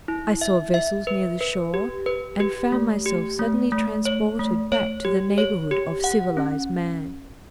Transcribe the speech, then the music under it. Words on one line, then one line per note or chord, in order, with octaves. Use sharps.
I saw vessels near the shore and found myself suddenly transported back to the neighbourhood of civilized man.
E4
E5
E5
B4
B4
G4
B4
G4
A3
G4
A3
A3
C#5
A3
C#5
G4
C#5
G4
F#5
C#4